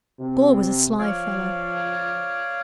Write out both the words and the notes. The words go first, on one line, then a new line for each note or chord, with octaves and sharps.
Gore was a sly fellow.
C3
F3 C#5 D5 F5